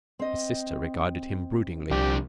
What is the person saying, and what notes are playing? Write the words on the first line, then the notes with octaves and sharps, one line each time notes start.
His sister regarded him broodingly.
C4 D#5
C2 F3 D4 G4